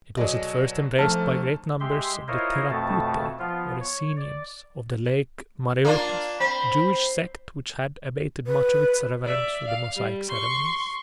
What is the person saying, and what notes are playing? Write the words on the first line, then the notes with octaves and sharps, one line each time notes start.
It was at first embraced by great numbers of the Theraputae, or Essenians, of the Lake Mareotis, a Jewish sect which had abated much of its reverence for the Mosaic ceremonies.
B2 F#3 G#4 D5 D#5
D2 F3 A3 D#4 A5 F6
G#3 G4 E5 C6
E4 F4 A#4 C5 C#5 D#5
F2 B2 A3 A5
F3 B3 F4
C#5
D5
A#3 D4 F4
C4 B5
B4
D5 E5
F5
G3
C6 C#6